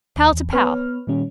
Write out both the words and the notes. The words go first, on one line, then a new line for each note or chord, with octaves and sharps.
Pal to pal.
D#2
E2
B3 B4 C#5 F6
A#2 D#3 G3 C#4